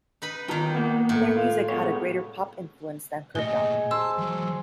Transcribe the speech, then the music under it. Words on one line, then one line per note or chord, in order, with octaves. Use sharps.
Their music had a greater pop influence than Kerbdog.
D#4 B4 B5
B1 D#3 F4 G5 A#5
A#3 B3
A2
F4
G#3 B3 C#5
A#2 A3 G#4 D#5 G#5 G7
C5 A5 E6
E3 F#3